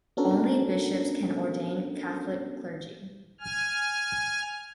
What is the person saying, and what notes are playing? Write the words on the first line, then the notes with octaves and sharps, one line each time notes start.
Only bishops can ordain Catholic clergy.
B3 C#4 D4 F#4 A4 A#4
G#5 F6